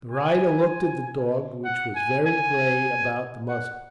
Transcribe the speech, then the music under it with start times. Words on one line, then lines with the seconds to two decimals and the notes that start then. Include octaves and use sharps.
The rider looked at the dog, which was very grey about the muzzle.
0.11 G#5
1.64 F#5
1.95 G#5
2.26 G#5
3.49 F#5